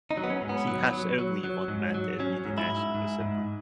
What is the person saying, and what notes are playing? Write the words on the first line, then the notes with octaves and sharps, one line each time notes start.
He has only one mandate in the National Assembly.
D#4
F#3
B3
C#4
G#2
B3
F#3
F#3
F#3
F#3
G#2
F#3
F#3 C#4
G#2
E4
G#2
G#2
G#2